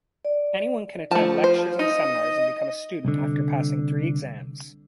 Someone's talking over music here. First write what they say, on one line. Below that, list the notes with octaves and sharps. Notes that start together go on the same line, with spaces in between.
Anyone can attend lectures and seminars and become a student after passing three exams.
D5
F3 A3 A5
C5
D#4 D#5
C2 D3